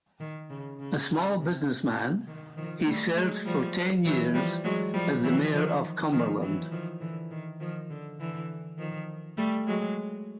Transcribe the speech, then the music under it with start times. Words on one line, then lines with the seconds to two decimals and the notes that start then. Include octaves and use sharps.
A small businessman, he served for ten years as the Mayor of Cumberland.
0.20 D#3
0.50 C#3
0.79 C#3
1.39 C3
2.27 D#3
2.57 D#3 F3
2.86 G3 A3
3.16 F#3 G#3
3.45 F3 G3
4.05 E3 F#3
4.34 F3 G3
4.64 F#3 G#3
4.94 F3 G3
5.23 E3 F#3
5.53 D#3 F3
6.12 D#3 F3
6.42 E3 F#3
6.71 D#3 F3
7.01 D3 E3
7.31 D#3
7.60 D#3 F3
7.90 D3
8.19 D3 E3
8.78 D#3 F3
9.37 G3 A3
9.67 F#3 G#3